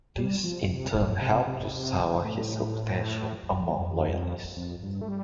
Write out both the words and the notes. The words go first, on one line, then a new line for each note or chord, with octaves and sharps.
This in turn helped to sour his reputation among Loyalists.
G3
F3
C3
A2
C3
C3
A2
F2
F2
G2
A3
G3